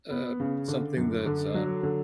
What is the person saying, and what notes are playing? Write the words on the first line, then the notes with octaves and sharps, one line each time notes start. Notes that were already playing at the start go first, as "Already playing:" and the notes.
uh, something that's, um
B3
C#3
D3
F#2
D3
F#3
D3